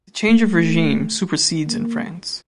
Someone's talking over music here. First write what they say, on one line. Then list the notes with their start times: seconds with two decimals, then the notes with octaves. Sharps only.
The change of regime supersedes in France.
0.24 A3
1.67 A#3